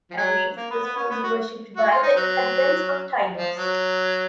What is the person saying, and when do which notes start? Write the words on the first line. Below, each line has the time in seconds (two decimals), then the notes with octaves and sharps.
Ares was also worshipped by the inhabitants of Tylos.
0.11 F3
0.17 F#3
0.57 A#3
0.71 B3
0.83 B3
0.96 C#4
1.10 B3
1.23 F#4
1.77 F#4
1.90 F4
2.03 D#4
2.16 F#3
3.37 F3
3.56 F#3